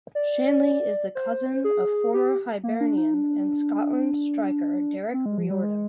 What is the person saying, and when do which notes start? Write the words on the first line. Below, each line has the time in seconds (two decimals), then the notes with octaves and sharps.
Shanley is the cousin of former Hibernian and Scotland striker Derek Riordan.
0.15 D5
1.15 C5
1.64 G#4
2.14 G4
2.64 A#3
2.81 D4
2.98 D#4
3.14 D4
5.14 C4
5.26 G#3
5.38 F3
5.50 G3
5.63 G#3